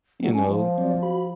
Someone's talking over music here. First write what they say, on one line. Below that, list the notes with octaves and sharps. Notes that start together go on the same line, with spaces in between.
you know,
F#3 G#3
C#4
F3
F#3 C4 D5
F#4 B5